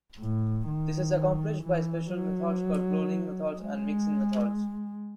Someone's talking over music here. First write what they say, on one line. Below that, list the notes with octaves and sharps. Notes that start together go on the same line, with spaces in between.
This is accomplished by special methods called "cloning" methods and "mixin" methods.
A2
D#3
E3
F#3
G#3